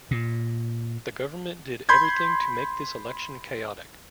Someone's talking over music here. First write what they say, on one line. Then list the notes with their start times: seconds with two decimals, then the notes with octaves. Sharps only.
The government did everything to make this election chaotic.
0.11 A#2
1.89 B5 C6 G6 G#6